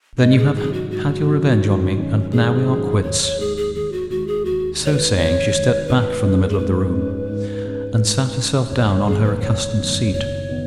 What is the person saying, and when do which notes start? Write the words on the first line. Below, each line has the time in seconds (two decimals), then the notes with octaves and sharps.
"Then you have had your revenge on me, and now we are quits." So saying, she stepped back from the middle of the room, and sat herself down on her accustomed seat.
0.20 G#2 D#5
0.37 G#4
0.56 D#3 F#3 C#4 G#4
0.73 F#4
0.90 G#2 F#4
1.26 D#3 F#3 C#4
1.62 G#2
1.97 D#3 F#3 C#4
2.33 G#2 G#4
2.68 D#3 F#3 C#4
3.03 D#2 C#5
3.21 C#5
3.39 D#3 G#3 G#4
3.57 G#4
3.75 D#2 G#4
3.92 F#4
4.10 D#3 G#3 F#4
4.27 G#4
4.45 D#2 F#4
4.81 D#3 G#3 C#5
4.92 B4
5.16 D#2 C#5
5.51 D#3 G#3
5.87 G#2 B4
6.23 G#3 C#4
6.50 G#4
6.58 G#2 B4
6.93 G#3 C#4
7.29 G#2
7.65 G#3 C#4
8.00 G#2
8.36 G#3 C#4
8.70 F#1 C#5
8.88 C#5
9.06 F#2 D#3 B3 G#4
9.23 B4
9.42 F#1 C#5
9.77 F#2 D#3 B3
10.12 F#1 C#5
10.49 D#3 B3